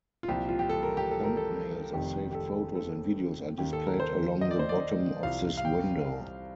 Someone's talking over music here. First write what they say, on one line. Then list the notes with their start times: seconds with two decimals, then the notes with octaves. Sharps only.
Thumbnails of saved photos and videos are displayed along the bottom of this window.
0.23 F4
0.29 C2 A#2 F3 G4
0.49 F4
0.59 G4
0.69 A4
0.83 A#4
0.97 G4
1.11 A4
1.24 A#4
1.37 A4
1.93 F1 F2 C3 D#3 G4
2.31 G4
2.35 A4
2.75 A4
3.58 D#2 D#3 G4
3.73 A4
3.87 A#4
4.00 C5
4.41 D#5
4.51 D5
4.59 C5
4.69 D5
5.23 C2 C3 F3 F5
5.57 F5
5.65 G5